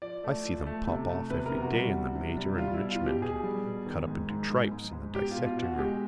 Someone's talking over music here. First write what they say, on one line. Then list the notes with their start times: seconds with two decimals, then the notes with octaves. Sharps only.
I see them pop off every day in the Mater and Richmond and cut up into tripes in the dissectingroom.
0.02 F3 D5
0.24 A3
0.45 F3
0.66 A3
0.87 C3
1.09 A3
1.30 C3 B4
1.46 A#4
1.52 C3
1.62 F#4
1.73 G3
1.78 F#4
1.94 C3
2.16 C3
2.37 G3
2.58 G3 F4
2.74 E4
2.79 B2
2.90 F4
3.01 B2
3.07 G4
3.22 B2 G#4
3.43 G3
3.65 B2
3.86 D#3
4.08 G#2
4.29 G#2
4.50 G#2
4.72 G#2
4.93 G#2
5.14 B2 G4
5.31 B2 F4
5.46 F4
5.57 B2 F4
5.63 F#4
5.78 G#3 G4